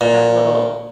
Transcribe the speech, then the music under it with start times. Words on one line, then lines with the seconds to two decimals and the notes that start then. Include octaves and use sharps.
have a little
0.01 A#2